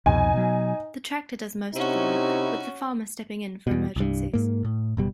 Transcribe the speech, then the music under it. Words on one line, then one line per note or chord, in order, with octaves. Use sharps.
The tractor does most of the work, with the farmer stepping in for emergencies.
C2 F2 B2 D#4 G#5
B2 F#3
C3 C#4 D#4 E4 F#4
E2 B2
C2 G2
G#2 A#3
A2
F#1 B2 G3